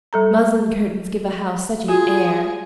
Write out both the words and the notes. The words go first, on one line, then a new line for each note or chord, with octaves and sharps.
Muslin curtains give a house such an air.
G3 A4 A#5
F4 F#4 G#4